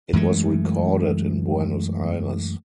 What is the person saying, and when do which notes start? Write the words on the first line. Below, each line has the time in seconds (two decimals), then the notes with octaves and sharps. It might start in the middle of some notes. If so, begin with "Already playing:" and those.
It was recorded in Buenos Aires.
0.13 F#2 E3 G#3 A3